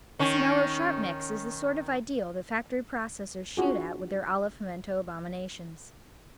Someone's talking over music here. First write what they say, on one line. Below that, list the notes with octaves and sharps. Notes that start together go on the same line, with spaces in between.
This mellow-sharp mix is the sort of ideal the factory processors shoot at with their olive-pimiento abominations.
D#3 C#4
D4 F4 F#4 G#4